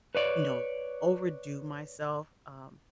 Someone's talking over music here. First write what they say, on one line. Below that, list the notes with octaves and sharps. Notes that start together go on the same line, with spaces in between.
you know, overdo myself, um,
B4 C#5 D5